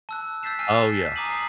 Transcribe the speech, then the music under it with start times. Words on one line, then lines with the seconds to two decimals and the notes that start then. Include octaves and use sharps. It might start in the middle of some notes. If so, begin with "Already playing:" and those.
Oh, yeah.
0.09 A5 E6 F#6
0.43 E6 G6 A6 B6 C7 E7
0.59 G#5 F6 G6 A6 C7 D#7
0.96 B6
1.16 G#5 A#5 D6 D#6 D#7 F#7
1.31 C7